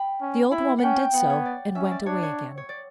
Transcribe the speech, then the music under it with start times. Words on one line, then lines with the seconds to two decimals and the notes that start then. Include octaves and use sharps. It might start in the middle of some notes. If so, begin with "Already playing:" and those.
The old woman did so and went away again.
Already playing: G5 B5
0.21 C#4
0.51 E4 B5
0.78 C#4 F#5 G5
0.98 G5
1.13 B3 F#5
1.30 C#5
1.45 D5
1.75 C#4 E5
1.91 D5
2.06 D4 C#5
2.23 C#5
2.57 C#5
2.69 D5